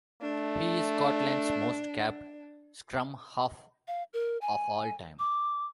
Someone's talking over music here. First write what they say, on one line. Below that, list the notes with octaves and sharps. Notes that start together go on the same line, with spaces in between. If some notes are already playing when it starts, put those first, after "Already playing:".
He is Scotland's most capped scrum-half of all time.
A3 D4
F5
A#4
G#5
D6